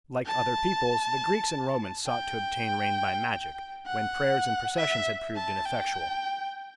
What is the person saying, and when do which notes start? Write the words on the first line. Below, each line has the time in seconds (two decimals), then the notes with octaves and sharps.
Like other peoples, the Greeks and Romans sought to obtain rain by magic, when prayers and processions had proved ineffectual.
0.26 A5
2.07 G5
3.86 F#5
4.76 E5
5.36 A5
5.66 G5